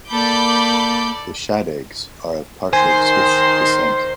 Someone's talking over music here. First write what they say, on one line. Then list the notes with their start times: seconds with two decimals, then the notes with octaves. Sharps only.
The Shadeggs are of partial Swiss descent.
0.12 A#3 A4 D5 B5 D6 G6
2.73 D#3 C5 G#5 C6